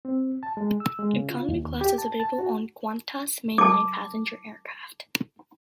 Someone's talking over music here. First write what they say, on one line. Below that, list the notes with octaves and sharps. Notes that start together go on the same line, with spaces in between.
Economy class is available on all Qantas mainline passenger aircraft.
C4
A5
G#3
E6
G#3
C#3
F4
D#2
G4
A5
A5
F#4
A5 D6